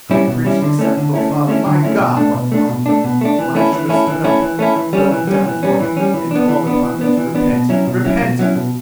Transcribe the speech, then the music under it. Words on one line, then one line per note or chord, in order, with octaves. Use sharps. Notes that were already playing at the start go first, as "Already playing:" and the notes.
I preached acceptable folly--my God, what folly!--when I should have stood up, though I died for it, and called upon them to repent--repent! . . .
G3 C#4 E4
B2
G3 C#4 E4
D3
A3 C#4 E4
D3
A3 C#4 E4
D3
A3 C#4 E4
D3
A3 C#4 E4
B2
A3 D4
B2
A3 D4
B2
A3 D4
B2
A3 D4
E3
A3 C#4 E4
E3
A3 C#4 E4
E3
A3 C#4 E4
E3
A3 C#4 E4
E3
G3 C#4
E3
G3 C#4
E3
G3 C#4
E3
G3 C#4
E3
B3 D4
E3
B3 D4
E3
B3 D4
E3
B3 D4
B2
F#3 C#4 E4
B2
F#3 C#4 E4
B2
F#3 C#4 E4
B2